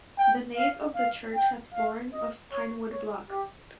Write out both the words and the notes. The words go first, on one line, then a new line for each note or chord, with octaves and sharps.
The nave of the church has flooring of pine wood blocks.
G5
F5
F5
G5
F5
D#5
C#5
C#5
G4